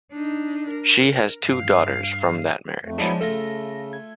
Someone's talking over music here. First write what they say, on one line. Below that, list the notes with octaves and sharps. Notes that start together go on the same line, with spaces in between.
She has two daughters from that marriage.
D4 D#4
A#4
G2 F5
F2 A3
F3 F#3 G#3 B3 D4 E4 G#4 C#5
C#3 A3 F4 A4 A#6
G#6